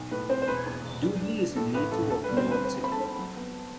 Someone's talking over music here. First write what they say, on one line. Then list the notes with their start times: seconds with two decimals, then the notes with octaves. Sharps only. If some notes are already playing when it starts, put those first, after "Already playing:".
Dudley is a native of New York City.
Already playing: B1
0.11 A2 B4
0.29 C4 C5
0.42 C5
0.48 E1 B4
0.66 E2
0.84 E1
1.02 G3
1.20 D4
1.38 D4
1.56 A2 A4
1.74 A1 B4
1.92 A1 A4
2.10 D2 A4
2.24 B4
2.28 G3
2.37 C4 C5
2.46 D2 B4
2.64 C4 B4
2.83 C4 B5
2.91 A4 A5
3.00 C4
3.19 F#3
3.36 B3